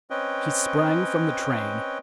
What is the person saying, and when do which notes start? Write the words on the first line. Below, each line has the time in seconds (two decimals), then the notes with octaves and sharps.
He sprang from the train.
0.10 C4 C#4 B4 C#5 D#5 G5